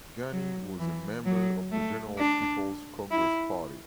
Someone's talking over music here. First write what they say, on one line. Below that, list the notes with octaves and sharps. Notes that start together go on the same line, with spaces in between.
Ghani was a member of the General People's Congress party.
F#3
E3
F#3
A3
D4
E4